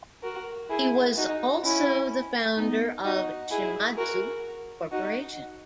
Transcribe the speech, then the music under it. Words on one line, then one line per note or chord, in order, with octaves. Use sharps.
He was also the founder of Shimadzu Corporation.
F#4 A#4
E4 G#4
D#4 F#4
C#4 E4
B3 D#4
D#4 F#4
E4 G#4
F#4 A#4
D#4 F#4